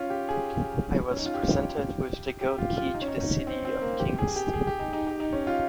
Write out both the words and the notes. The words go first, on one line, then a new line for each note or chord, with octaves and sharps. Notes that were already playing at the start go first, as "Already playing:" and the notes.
I was presented with the gold key to the city of Kingston.
Already playing: C#4 F4
G4
G#4
C#4
D#4
F4
G4
G4
F4
F4
D#4
C#4
D#4
D#4
C4
C4
A#3
G4
G#4
G4
G#4
G4
D#4
D#4
G4
D#4
C#4
F4